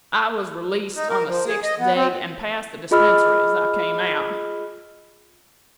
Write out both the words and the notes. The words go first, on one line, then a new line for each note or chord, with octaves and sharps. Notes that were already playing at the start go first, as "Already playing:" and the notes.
I was released on the sixth day and passed the dispensary as I came out.
D#4
A#4
F3
G#4
D#5
B3
C4
F4 G#4 D#5 B5 E6 F6